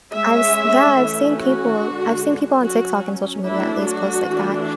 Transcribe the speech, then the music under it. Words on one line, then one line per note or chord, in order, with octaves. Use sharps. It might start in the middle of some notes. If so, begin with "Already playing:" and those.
I've s yeah, I've seen people. I've seen people on TikTok, and social media at least posts like that,
G#3 C#4 E5
E3 A3 C#4
F#4
D3 G#3 D4
F#3 C#4 F#4
F#3 A3 D4 E4
F#4
E3 A3 D4